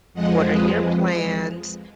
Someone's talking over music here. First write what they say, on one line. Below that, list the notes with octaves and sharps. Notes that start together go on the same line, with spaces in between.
What are your plans?
F2 F3 G#3 D#5 F#5
B4 D#5